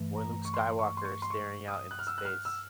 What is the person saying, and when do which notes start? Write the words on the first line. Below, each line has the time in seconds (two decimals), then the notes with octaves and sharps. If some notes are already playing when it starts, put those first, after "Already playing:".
when Luke Skywalker's staring out into space,
Already playing: G2 E3 A3
0.15 A#5
0.45 C#6
0.54 C6
0.79 C#6
0.97 C6
1.05 C#6
1.22 C6
1.30 C#6
1.68 D#6
1.91 F#6
1.99 F6
2.07 E6
2.18 F#6
2.25 F6
2.45 E6